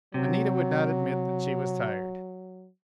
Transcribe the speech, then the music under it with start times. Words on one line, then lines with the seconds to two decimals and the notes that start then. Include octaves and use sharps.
Anita would not admit that she was tired.
0.14 C3 F#3